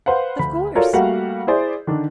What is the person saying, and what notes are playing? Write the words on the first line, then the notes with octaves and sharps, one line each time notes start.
"Of course."
B4 C5 F5 F#5
D2 B5
F4 F#4 A4 A#4 C#5 D5
G3 A3 A#3 F#4 F5 F#5
E4 G#4 C5 D5
D3 D#3 D4